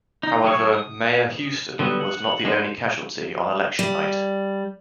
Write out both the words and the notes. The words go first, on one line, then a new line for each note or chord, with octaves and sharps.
However, Mayor Houston was not the only casualty on election night.
D#4
F#3 A3 G#4 C#5 C#6
D#6
D3 F#3 G3 B3
F#5
G#3 D4 D#4 B4 C5
G3